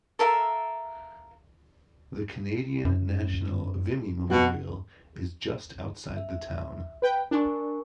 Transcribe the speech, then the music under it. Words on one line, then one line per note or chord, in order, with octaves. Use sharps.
The Canadian National Vimy Memorial is just outside the town.
A4 A#4 E5 F5
F#2
B2 F#4 F#5
E5
B4 G5
D4 A#4 G#5 C#6